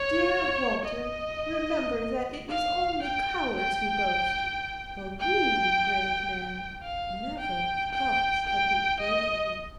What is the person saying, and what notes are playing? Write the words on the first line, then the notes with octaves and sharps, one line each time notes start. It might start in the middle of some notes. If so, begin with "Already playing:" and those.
'Dear Walter, remember that it is only cowards who boast; a really brave man never talks of his bravery.'
Already playing: C#5
D#5
F5
G5
G5
G5
F5
G5
G5
G5
D#5